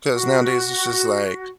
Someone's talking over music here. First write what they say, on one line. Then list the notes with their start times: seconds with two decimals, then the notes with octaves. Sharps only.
‘cause nowadays, it's just like,
0.11 F#4